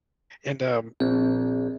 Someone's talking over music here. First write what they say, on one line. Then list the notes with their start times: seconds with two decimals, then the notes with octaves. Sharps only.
and, um,
1.00 A#1 C4